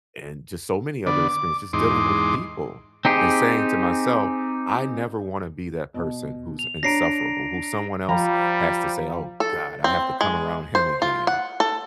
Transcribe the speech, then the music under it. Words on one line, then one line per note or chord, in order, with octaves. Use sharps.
and just so many other experiences, just dealing with people, and saying to myself, "I never wanna be that person who's insufferable, who someone else has to say, "Oh god, I have to come around him again."
D3 B3 D5
D6
E2 G#2 D#4 C6 D6
C4 D#4 G4 G#4
B2
F7
D4 C#5 A#5 A#6 C7 D7
F3 G3 F5 G5 A#5 B5
A4
C4
G#3
C5
F4
F#5
A4